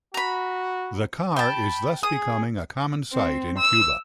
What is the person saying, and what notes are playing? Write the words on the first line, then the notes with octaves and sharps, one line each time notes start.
The car is thus becoming a common sight in Cuba.
F#4 A#5 B5
G5 A5 B5
G#4 D#6
C4
E6